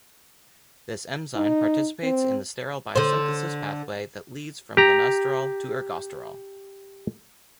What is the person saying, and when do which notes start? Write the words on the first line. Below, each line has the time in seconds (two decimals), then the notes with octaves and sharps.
This enzyme participates in the sterol biosynthesis pathway that leads from lanosterol to ergosterol.
1.36 D#4
2.03 C4
2.96 D3 C5
4.77 G4 A#5